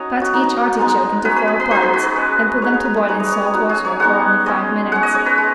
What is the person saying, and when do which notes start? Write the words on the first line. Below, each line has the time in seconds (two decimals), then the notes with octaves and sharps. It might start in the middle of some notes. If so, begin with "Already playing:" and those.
Cut each artichoke into four parts and put them to boil in salt water for only five minutes.
Already playing: F#3 C#4 D#4 C#5 D#5 F#5
0.21 F#4
0.33 F#3 B3 D#4
0.79 G#3 B3 D#4
1.25 F#3 C#4 B4
1.36 B4
1.48 G#4
1.60 B4
1.70 F#3 D#4 B4
1.82 G#4
1.94 F#4
2.05 G#4
2.16 G#3 C#4
2.62 G#3 D#4 C#5
2.74 B4
2.85 B4
2.97 B4
3.08 G#3 D#4 C#5
3.20 D#5
3.31 C#5
3.43 G#4
3.54 F#3 D#4 F#4
3.69 G#4
3.85 C#5
4.00 G#3 B3 D#4 F#5
4.46 G#3 C#4 D#5
4.92 G#3 C#4 F#5
5.03 D#5
5.15 C#5
5.26 B4
5.38 G#3